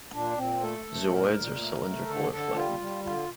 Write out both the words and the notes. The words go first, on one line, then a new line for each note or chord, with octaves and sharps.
Zooids are cylindrical or flattened.
A#2 D4
A#2 C4
A3 A4
A3
A#2 A#4
A#2
A3
A3
D3 A4
D3 A4
G3 F4
G3
D3 F4